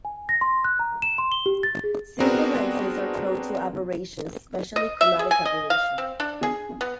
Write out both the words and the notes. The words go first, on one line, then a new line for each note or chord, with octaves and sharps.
Simple lenses are prone to aberrations, especially chromatic aberration.
G#5
A#6
C6
F#6
A#5
E7
C6
G7
G4
A6
G#4
B3 C4 D4 F#4 G#4 A#4
D#5
E5
G#4
G#5
D#5
F5
C4
D4
G#4
B3